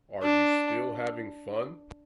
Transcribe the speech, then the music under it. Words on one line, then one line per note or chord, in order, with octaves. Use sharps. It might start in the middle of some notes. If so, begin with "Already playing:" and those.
Are You Still Having Fun?
D4